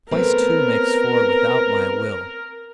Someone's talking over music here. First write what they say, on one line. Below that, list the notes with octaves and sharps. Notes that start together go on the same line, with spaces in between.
Twice two makes four without my will.
A3 B3 C4 A#4